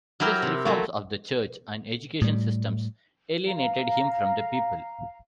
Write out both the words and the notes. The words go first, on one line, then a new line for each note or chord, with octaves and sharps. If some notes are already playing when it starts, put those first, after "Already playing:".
His reforms of the church and education systems alienated him from the people.
F#3 E4 G4 A#4
C3
F#3 A3 A#3
A2 G3
F5 A#5